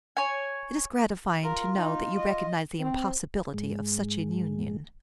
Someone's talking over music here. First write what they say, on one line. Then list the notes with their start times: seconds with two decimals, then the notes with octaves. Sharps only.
"It is gratifying to know that you recognise the impossibility of such an union."
0.17 C#5 G#5
1.43 F4 A#4
1.76 D#4
2.16 D#5
2.80 C4
3.54 G#2 G#3